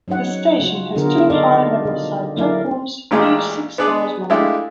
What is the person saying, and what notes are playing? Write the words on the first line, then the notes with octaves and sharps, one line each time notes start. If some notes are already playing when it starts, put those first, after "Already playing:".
This station has two high-level side platforms each six cars long.
F#3 C#4 D#4 C#5 F#5
C#3 F4 F#4
B2 D3 B3 F4 G#4 A#4
D#4 A4 D5 D#5 F5
B2
F#3 A#3 E4 A#4 D5 F5
A1 A#2 G#3 G4 F5
B3 D4 G#4 B4 D5
G#3 A3 D4 E4 F4 G4